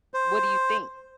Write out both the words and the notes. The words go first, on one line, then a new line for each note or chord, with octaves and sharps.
What do you think?
C5